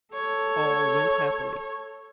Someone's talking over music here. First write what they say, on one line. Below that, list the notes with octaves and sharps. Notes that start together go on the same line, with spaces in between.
All went happily.
A4 C#5